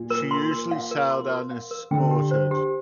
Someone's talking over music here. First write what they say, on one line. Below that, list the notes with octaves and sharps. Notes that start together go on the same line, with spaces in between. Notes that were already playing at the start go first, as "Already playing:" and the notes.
She usually sailed unescorted.
Already playing: A#2
A#4
C6
A#4
F5
A#4
C6
A#4
F5
A#4
D3 G5
G4
C5
G4